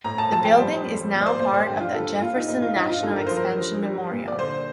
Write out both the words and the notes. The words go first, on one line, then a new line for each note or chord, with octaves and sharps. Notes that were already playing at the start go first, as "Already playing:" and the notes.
The building is now part of the Jefferson National Expansion Memorial.
A2 A#5
A5
F3 A5
G5
G3 C5
F2
A#2
D5
C5
A#2 C5
D5
G2 G4
F4
G2 A4
A#2 F4
D#4
A#2 D#4
F4
G2 D#4
F4
G2 A4
A#4
F3 C5
A#4
F3
G3
A#2
D5
D3 C5